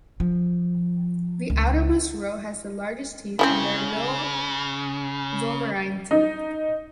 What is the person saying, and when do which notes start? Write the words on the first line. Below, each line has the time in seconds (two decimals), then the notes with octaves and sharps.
The outermost row has the largest teeth and there are no vomerine teeth.
0.20 F3
1.50 C#2
3.39 C#3 C4 C#4 E4
6.11 D#4